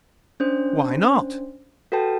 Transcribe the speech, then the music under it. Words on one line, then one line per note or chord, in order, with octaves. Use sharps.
"Why not?"
C#4 D4 C5
F#4 A4 B4 G5 A5